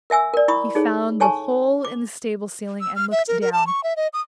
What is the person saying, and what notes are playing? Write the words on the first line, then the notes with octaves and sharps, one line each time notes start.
He found the hole in the stable ceiling and looked down.
A#4 E5 G#5 E6
A#4 D5
E4 B5 C#6 D#6
D#4 G#4 A4 C#5
A4 C#5 G#5 A5 C#6
D6
E6
F6
E5
A#4
A#4
A5
C#6
E5
D#5
D#6